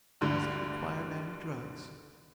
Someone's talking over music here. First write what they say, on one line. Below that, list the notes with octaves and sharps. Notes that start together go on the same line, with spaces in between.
"Does it require many drugs?"
D2 G2 D3